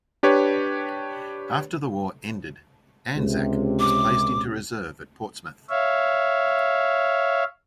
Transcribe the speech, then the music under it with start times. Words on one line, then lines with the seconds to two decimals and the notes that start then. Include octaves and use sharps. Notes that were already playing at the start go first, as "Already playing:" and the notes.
After the war ended, "Anzac" was placed into reserve at Portsmouth.
0.23 D4 G4 B4 C#5
3.15 C#2 C3
3.80 D6
5.70 C#5 E5 F5